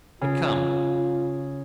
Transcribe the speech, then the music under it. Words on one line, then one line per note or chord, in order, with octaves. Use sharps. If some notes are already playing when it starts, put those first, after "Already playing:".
But come!
C#3 F4